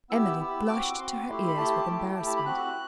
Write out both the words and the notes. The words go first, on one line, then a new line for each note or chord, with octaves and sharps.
Emily blushed to her ears with embarrassment.
B3 E4 G4 E6
B3 E4 G4
C4 F#4 D6
C4 F#4 C6
A3 E4 G4
B5
A3 E4 G4 A5
A3 E4 G4 G5
A3 E4 G4 A5
A5
B5
C4 F#4 F#6